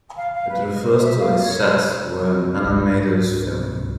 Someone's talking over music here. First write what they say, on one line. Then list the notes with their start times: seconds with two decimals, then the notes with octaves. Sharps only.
It refers to a set where an animator is filming.
0.16 F5
0.34 F5
0.48 B4
0.73 D#5
0.84 C5
1.03 E5
1.19 F5
1.41 C#5
1.63 C5
2.65 C#2 G#2